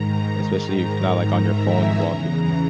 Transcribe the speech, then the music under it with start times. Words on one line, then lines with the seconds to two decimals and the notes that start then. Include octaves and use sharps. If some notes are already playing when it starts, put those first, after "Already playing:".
Especially if you're not, like, on your phone and walking,
Already playing: G#2 D#3 A#5
0.82 G#2 D#3
1.40 E5
1.70 G#5
1.98 E2 C#3 E3 A#5